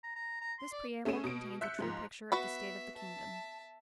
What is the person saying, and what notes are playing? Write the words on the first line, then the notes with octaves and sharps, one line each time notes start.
This preamble contains a true picture of the state of the kingdom.
A#5
A#5
A#5
C6
D5
A3 C#4 G#4 C#5 D#7 E7
B2 D7
E5 F#6 G6 B6 C#7
G#2 F3 G#3
B3 F#4 B4 E5 B5
E5 A5